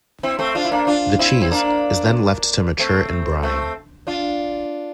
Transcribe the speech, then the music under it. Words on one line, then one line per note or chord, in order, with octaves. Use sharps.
The cheese is then left to mature in brine.
C4 E4
A3 C4
D4 F4
E4
A#3 D4
D4 F4
C4 E4
C4
A#3 D4
A3 C4
A3 C4
D4 F4